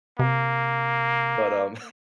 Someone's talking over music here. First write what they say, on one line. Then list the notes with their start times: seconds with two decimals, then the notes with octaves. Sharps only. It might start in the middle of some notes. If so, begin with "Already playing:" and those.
but, um,
0.19 C3 A#3